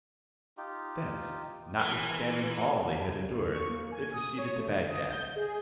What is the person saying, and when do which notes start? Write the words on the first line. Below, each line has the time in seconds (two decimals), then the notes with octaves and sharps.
Thence, notwithstanding all they had endured, they proceeded to Bagdad.
0.57 D#4 F4 G4
1.80 E3 G#3 A#4 G#5
3.07 C#2
3.31 E2
3.51 C#6
3.69 A#3
3.92 G#5
4.14 D#6
4.38 C#5
4.56 A3
4.68 D3
4.89 D#5
5.10 G6
5.36 G#4